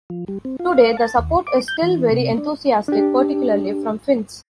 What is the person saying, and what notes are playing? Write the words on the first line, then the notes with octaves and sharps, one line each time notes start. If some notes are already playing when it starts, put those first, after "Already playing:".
Today, the support is still very enthusiastic, particularly from Finns.
F3
G3
C4
F4
F5
A5
D#2
D6
G6
E3
C3
D4
D4 G4